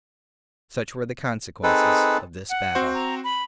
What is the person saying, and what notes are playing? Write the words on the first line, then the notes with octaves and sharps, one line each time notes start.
Such were the consequences of this battle.
C4 D#4 G#4 A4 B4
F#5
C4 F#4 C5
A#5
B5